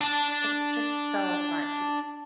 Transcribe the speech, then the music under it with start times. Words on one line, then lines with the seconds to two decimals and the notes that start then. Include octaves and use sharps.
It's just so much. It's
0.01 D4 A5